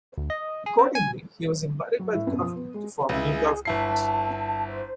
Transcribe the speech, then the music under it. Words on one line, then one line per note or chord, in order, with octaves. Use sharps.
Accordingly, he was invited by the governor to form a new government.
D2
D#5
G#4
C4
G#5
F#3
A2 E5
F#2 B2
F3
B3
G#3
C#2 E4 G#4
G1 E4 A5 C7
C5